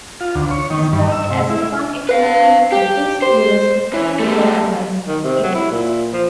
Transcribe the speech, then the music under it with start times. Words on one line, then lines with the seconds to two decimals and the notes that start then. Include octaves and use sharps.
Described as a 'fun environment for pre-schoolers to play and learn' by critics.
0.21 F4
0.35 D2
0.51 C#5
0.70 D#3
0.92 G2
1.12 E6
1.30 C3
1.50 E4
2.09 B4 F5
2.72 G4
3.23 C5
3.93 E3
4.19 G3 A3
5.08 D#3
5.24 C3
5.43 F#3
5.55 E4
5.71 A#2
6.13 F3